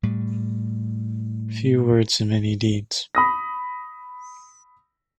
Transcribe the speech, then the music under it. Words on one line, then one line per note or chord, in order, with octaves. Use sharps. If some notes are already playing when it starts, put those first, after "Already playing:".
Few words and many deeds.
A2 G3
B5 D#6 A#6